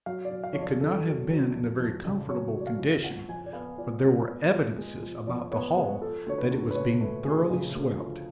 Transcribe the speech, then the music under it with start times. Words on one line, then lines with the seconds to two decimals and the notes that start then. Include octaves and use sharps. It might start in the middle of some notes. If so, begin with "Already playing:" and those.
It could not have been in a very comfortable condition, for there were evidences about the hall that it was being thoroughly swept.
0.06 F#3 F5
0.25 D5
0.31 F#3
0.44 F5
0.53 F2 C#5
0.62 D5
0.80 F2 A4
1.05 F#3
1.30 F#3
1.55 F2
1.80 F2
2.05 C#3
2.29 F#3 C#5
2.54 F#3
2.61 D5
2.67 F5
2.79 F2
3.03 F3 F#5
3.29 F2 G#5
3.46 D5
3.53 B3 F5
3.78 F3 D5
4.03 G#3
4.28 B3
4.53 F3
4.78 G#3
5.02 F3
5.27 F2 D5
5.52 B3 C#5
5.76 G#3 B4
6.01 F3 A4
6.26 D2 C#5
6.38 B4
6.51 D2
6.71 B4
6.75 C#3 C#5
7.01 A3 B4
7.25 D2 G#4
7.50 C#3
7.75 D2
8.00 F3